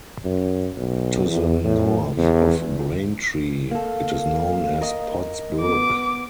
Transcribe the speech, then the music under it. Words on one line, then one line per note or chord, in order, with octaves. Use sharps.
To the north of Braintree it is known as Pods Brook.
F#2
B1
E2
A2
E2
A#3 A4 F5
A#4 D#5
B3 D6